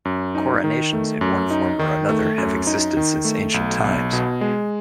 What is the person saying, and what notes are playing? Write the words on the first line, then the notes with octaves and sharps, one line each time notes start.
Coronations, in one form or another, have existed since ancient times.
F#2
D#4
D#3
A3
F#2
D#4
D#3
A3
F#2
D#4
D#3
A3
B1
B1
B2
G#3